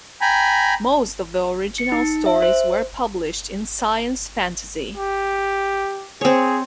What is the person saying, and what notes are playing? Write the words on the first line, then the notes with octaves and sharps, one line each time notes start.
Most of the original stories were published in "Science Fantasy".
G5 G#5 A#5 B5
C#7
D#4
E5
C5
G4
C4 G#4 C#5